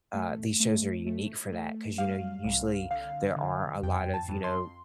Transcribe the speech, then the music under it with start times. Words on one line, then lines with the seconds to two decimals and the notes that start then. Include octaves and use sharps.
uh, these shows are unique for that. 'Cause, you know, usually there are a lot of, you know,
0.14 A3
0.60 A3
1.07 A3
1.52 A3
1.98 G3 F5
2.44 C2
2.91 D3 F5
3.36 D3
3.83 F2 G5
4.14 A5
4.29 F2
4.44 C6